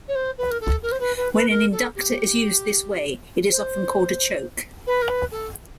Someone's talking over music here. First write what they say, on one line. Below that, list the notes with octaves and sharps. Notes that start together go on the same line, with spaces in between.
When an inductor is used this way it is often called a choke.
C#5
C5
B4
A#4
A4
A#4
C5
B4
B4
B4
A#4
A4
G4
C5
B4
A#4
B4
A4